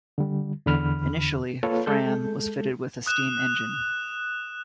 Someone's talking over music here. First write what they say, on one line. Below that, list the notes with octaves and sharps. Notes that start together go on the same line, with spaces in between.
Initially, "Fram" was fitted with a steam engine.
D3 G3
E2 D3 B5 F6
A#3 F4 A4 B4 C#5
G#3 A4 G6
D#6 F#6 E7